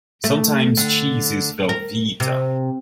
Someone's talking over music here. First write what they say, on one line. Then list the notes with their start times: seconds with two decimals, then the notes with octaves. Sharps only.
Sometimes cheese is Velveeta.
0.24 A3
0.77 D3
1.69 A#4
2.20 C3